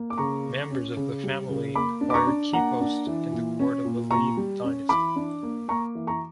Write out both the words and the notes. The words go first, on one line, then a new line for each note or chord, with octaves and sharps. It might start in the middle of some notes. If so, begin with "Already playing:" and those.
Members of the family acquired key posts in the court of the Lý dynasty.
Already playing: A#3
D6
C#3 A#5 C#6
C#4
C#4
C#3
G3
C#3
A#3 B5 D6
D4
D6
A#5 C#6
D4
A#3 F#5 A#5
D4
E3
A#2
C#4
A#2
A#2 A#5 C#6
G3
C#4
E3 B5 D6
D4
A#3
A#3 A#5 C#6
E3
A#5 C#6